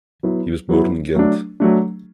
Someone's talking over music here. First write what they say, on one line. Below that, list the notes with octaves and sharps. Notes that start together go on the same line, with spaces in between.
He was born in Ghent.
F#3 B3 E4
F#3 B3 E4
F#3 A3 D4
F#3 A3 D4